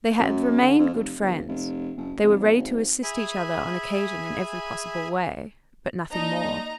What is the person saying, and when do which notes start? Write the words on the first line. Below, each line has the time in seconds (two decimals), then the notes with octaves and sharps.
They had remained good friends; they were ready to assist each other on occasion in every possible way; but nothing more.
0.19 F#2
0.62 D3
0.79 F2
0.94 F1
1.21 G1
1.48 F1
1.97 F#1
2.23 F1
2.40 B1
2.57 G#1
3.03 G#4 E5 G#5 B5
6.12 A#3 D#4 D5 D#5 A5 A#5